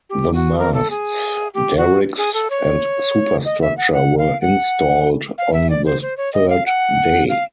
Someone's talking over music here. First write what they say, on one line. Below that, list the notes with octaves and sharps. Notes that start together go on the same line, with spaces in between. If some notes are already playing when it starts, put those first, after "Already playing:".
The masts, derricks and superstructure were installed on the third day.
G4
F#4
A#4
A4
G#4
G4
F#4
G#4
A4
C#5
D#5
E5
F#5
F#5
F5
F#5
F5
E5
D5
C5
C5
C#5
D#5
F5
F#5
F5